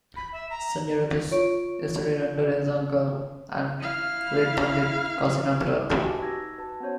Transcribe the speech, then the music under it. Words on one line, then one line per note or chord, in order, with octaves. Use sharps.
Sanjay Rath studied under his uncle, the late Pandit Kasinath Rath.
B5
E5
A#5
F4 C#5 C#6 D7
E4 F5
G5 D6
F#4 G4 B4 D#5 G#5 A5
D#4 E6 G#6 A#6
F#4 B4 A5
B3 C#4 F#4 C5 C#5